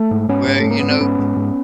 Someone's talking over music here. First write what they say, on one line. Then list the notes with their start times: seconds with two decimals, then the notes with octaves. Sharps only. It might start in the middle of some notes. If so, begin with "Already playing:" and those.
Well, you know,
Already playing: A3
0.11 G#2
0.29 G#2 B3 C#4
0.47 G#2
0.60 G#2 A3
0.70 A#3
0.79 G#2 B3
0.91 C4
1.01 G#2 B3 C#4
1.19 G#2
1.36 G#2